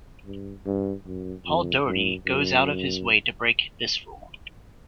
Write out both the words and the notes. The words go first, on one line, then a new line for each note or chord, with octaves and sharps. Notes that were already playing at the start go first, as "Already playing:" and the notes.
Paul Doherty goes out of his way to break this rule.
G2
G2
F#2
F2
F#2
F#2